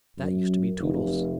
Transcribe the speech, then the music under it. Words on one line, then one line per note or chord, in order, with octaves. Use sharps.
That used to be Tootles.
F#2
F1